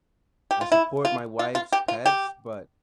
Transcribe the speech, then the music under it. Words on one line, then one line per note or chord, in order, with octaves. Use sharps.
I support my wife's pets, but
G4
F4
E4
F4
F4
F4
G4
F4
G4